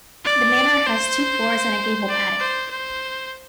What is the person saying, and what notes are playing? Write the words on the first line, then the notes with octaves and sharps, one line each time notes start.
The manor has two floors and a gabled attic.
D5
C5
D5
C5
C5